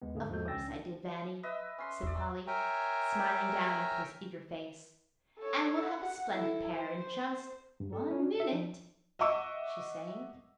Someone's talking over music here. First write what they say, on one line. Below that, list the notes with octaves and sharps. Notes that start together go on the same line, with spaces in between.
"Of course I did, Vanny," said Polly, smiling down into his eager face, "and we'll have a splendid pair in just--one--minute!" she sang.
D#2 G#3 B3
G#2 D3 A3 A#3 G#4
E2 F3 G#3 F#4 A4 G6
C#2 C#4 G5 E6 A6 A#6
D4
B4 D#5 E5
C#4 C6
E2 D5 E6
A#4 C#5 E5 G5 G#5 A#5
A4 C#5
F#5
E4 A4
C5
G2
A4
C#4
D4
E5
F3
D#5 E5 F#5 C#6 D6 E6